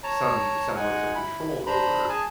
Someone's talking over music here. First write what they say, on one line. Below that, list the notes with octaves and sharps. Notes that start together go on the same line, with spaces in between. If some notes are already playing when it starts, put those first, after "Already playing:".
some semblance of control over,
C#5 A5 A#5
G#3 D#4 F#5 G#5
E4 B5
D4 C5 A#5 B5
G#4 G#5 A5